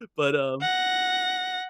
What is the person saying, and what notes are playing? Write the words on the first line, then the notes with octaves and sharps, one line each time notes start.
But, um
F#5 A#6